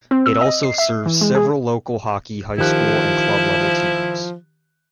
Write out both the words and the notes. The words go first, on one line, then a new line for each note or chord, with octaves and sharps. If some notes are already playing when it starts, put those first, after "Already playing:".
It also serves several local hockey high school and club level teams.
C4
E6
D#5
C7
E5
E3
G#3
G#4
D#3 F3 E4 G4 F#6